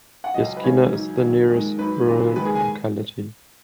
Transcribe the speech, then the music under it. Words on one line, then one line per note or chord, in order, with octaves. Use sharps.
Yeskina is the nearest rural locality.
F#5
C#2 C#3 F#3 D#5
B4
D#2 C#3 G#3 C#5
G#2 F#3
D#2 D#3 F#3
D#2 D#3 G#3
G#2 F#3 B4
D#2 C#3 F#3
D#2 D#3 G#3 B4
G#4
G#5